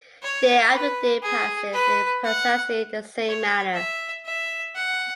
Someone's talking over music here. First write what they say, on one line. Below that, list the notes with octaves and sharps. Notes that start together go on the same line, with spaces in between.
Day after day passes in precisely the same manner.
C#5
B4
G#4
B4
F#5
C#5
E5
E5
F#5